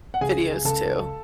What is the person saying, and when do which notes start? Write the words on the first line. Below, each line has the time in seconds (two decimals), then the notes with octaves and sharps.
videos, too.
0.14 F#5
0.21 C#2 G#4 G#5
0.65 C#2 A4 A5